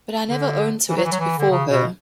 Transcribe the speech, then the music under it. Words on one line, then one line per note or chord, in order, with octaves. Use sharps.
But I never own to it before her.
D3
E3
F#3
E3
F#3
E3
D3
C#3
B2